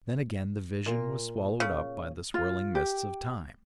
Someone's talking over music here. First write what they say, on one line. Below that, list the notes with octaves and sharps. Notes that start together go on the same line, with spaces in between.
Then again the vision was swallowed up by the swirling mists of time.
A#2 A#3
C#3
F4
G4